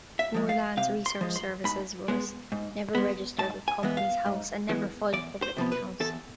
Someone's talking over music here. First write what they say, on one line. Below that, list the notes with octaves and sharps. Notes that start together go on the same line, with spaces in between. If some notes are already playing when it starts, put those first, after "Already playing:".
Moorlands Research Services was never registered with Companies House, and never filed public accounts.
E5
F3 G#3
F5
C3 F5
C6
F3 G#3
C6
G#2 B5
G#3 B3
G#2
G#3 B3
G#2 A5
G#5
E3 G#3 B3
F5
G#2
E3 G#3 B3
E2 D5
C5
C3 F3 B3
B4
E2 A4